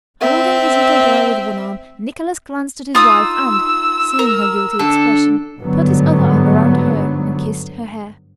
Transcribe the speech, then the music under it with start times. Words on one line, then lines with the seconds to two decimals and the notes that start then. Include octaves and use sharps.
Holding his little girl with one arm, Nicholas glanced at his wife and, seeing her guilty expression, put his other arm around her and kissed her hair.
0.21 C4 E5
2.95 D#4 F4 D#6 E6
4.19 A#4
4.79 D3 A4
5.59 G1 G#2 D3 F#3 B3